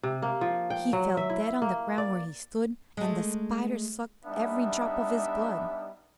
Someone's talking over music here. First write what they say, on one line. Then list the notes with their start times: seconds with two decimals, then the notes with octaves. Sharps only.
He fell dead on the ground where he stood, And the spider suck'd every drop of his blood.
0.03 C3
0.22 A#3
0.41 F3
0.70 G5
0.93 F#3
1.17 E5
1.30 E4
1.62 A#3
1.98 D5
2.97 G#3 A3
4.25 G3 B3 D4 D#4 E5